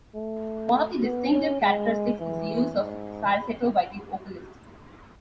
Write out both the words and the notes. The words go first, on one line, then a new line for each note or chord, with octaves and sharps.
One of the distinctive characteristics is the use of a falsetto by the vocalist.
A3
B3
C#4
G#3
E3
G#2